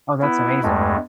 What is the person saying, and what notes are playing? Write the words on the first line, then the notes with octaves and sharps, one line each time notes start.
Oh, that's amazing.
B3 E4
E2 G2 G#3 A3